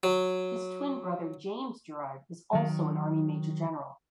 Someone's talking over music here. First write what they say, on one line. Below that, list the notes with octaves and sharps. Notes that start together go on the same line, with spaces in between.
His twin brother James Jarrard is also an army major general.
F#3
D#3 F#3